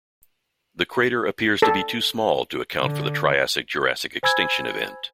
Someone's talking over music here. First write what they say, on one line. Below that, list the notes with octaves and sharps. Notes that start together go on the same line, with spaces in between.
The crater appears to be too small to account for the Triassic-Jurassic extinction event.
A4
D3
C5 G#5 B5 E6 G#6